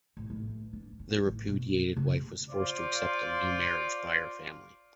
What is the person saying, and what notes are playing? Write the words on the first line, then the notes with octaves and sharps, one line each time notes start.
The repudiated wife was forced to accept a new marriage by her family.
A1
A1
D4
C#4
A1
B2
C#3
F4 C5 D5